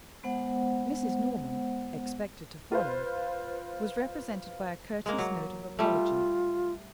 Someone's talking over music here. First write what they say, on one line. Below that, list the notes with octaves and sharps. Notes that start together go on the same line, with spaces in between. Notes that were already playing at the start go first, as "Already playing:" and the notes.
Mrs. Norman, expected to follow, was represented by a courteous note of apology.
G#3 B3 C5 F#5
F4 B4 C5
G#3 A#3
F#3
G3 A3 F4